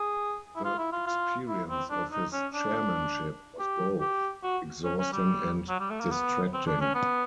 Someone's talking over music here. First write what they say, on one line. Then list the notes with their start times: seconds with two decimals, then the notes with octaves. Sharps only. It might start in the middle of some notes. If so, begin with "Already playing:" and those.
The experience of his chairmanship was both exhausting and distracting.
Already playing: G#4
0.56 E4
0.64 F4
0.78 E4
0.92 F4
1.06 F4
1.48 E4
1.69 C4
1.90 D4
2.12 D#4
2.32 C#4
2.54 D4
3.59 G4
4.00 G4
4.43 F#4
4.84 C#4
4.99 C#4
5.12 G3
5.69 F#3
5.80 G3
5.90 A3
6.01 A#3
6.11 B3
6.53 C4
6.67 D4
6.81 C#4
6.94 B3